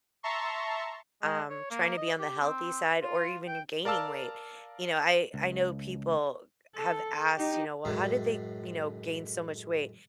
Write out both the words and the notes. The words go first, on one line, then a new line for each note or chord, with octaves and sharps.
um, tryna be on the healthy side or even gaining weight, you know, I I know people, eh, have asked, you know, "Well, how did they, you know, gain so much weight?"
E5 A5 A#5 C6 C#6
G#3
C#5
A#3
D#5
G4
C4
F4
G5
A#4 D5 F5 A5 E6 F6
C#2
A4
D#4 G4
F#2 A2 G#3